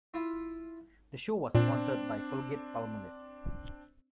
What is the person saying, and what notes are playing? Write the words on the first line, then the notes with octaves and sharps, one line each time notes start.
The show was sponsored by Colgate-Palmolive.
E4 F4
A#2 C4 D4